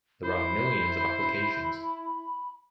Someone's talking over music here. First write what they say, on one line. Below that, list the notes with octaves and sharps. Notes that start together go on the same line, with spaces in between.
There are millions of applications.
E4 C5 B5